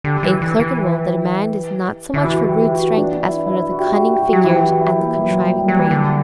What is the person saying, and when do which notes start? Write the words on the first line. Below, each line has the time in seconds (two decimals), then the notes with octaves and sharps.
In Clerkenwell the demand is not so much for rude strength as for the cunning fingers and the contriving brain.
0.04 D3 G4
0.23 E3
0.42 E3
0.60 E3
2.14 D3 E4
2.24 E3 F#4
2.49 G4
2.68 G4
2.73 F#4
2.98 D4
3.22 E4
3.47 E4
3.71 F#4
3.78 G4
3.86 F#4
3.95 G4
4.13 G4
4.20 F#4
4.33 F#3
4.44 E3 E4
4.53 G4
4.63 F#4
4.81 E4
4.99 A#3
5.17 F#3
5.31 F#3
5.43 G3
5.59 G3
5.66 F#3 A#3
5.80 E3
5.91 D3 G3